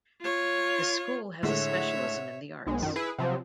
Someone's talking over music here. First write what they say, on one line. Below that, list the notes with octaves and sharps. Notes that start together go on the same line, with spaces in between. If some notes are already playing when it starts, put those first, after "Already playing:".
The school has a specialism in the arts.
F4 C#5
A2 D3 G#3 C#5 E5
B1 G#3
F#2 D#3
E4 G#4 B4
C3 F3 F#3